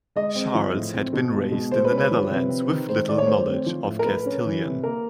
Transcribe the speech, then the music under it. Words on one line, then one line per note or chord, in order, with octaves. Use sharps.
Charles had been raised in the Netherlands with little knowledge of Castilian.
G#3 D#5
C4
F3
A2
C4
B2
G#3
B2
G#3 C5
B4
C#4
B4
F3
C3
C4
D#3
G#3 C5
D#3 D5
C#5
A3 C5
C4
F3
A2
A#4
A3 B4
C#4
E3
C3
A#3 A#4